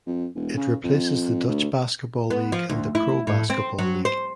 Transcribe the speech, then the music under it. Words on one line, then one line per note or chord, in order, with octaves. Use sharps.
It replaces the Dutch Basketball League and the Pro Basketball League.
F2
E1
C#3
F2
D2
B3
F3
D2
E4
A2
C4
F#3
C5